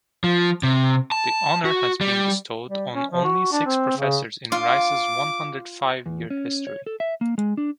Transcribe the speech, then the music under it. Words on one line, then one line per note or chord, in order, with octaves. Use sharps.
The honor has been bestowed on only six professors in Rice's one-hundred-five-year history.
F3
C3
A5
F#4
G3
G3
C#4
F3
F#4
D4
C4
C#3
F4 D6
E2
C#4
C#5
A4
E5
A#3
G#3
D4